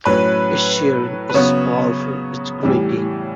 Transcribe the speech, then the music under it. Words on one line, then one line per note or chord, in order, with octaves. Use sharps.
It's searing, it's powerful, it's gripping.
A2 F#3 C#4 B4
B4
C#3 F#3 B3 C#5
A2 E3 G3